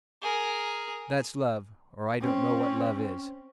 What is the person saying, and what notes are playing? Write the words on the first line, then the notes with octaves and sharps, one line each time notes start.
"That's love, or I don't know what love is."
G#4 A#4
C4 C#4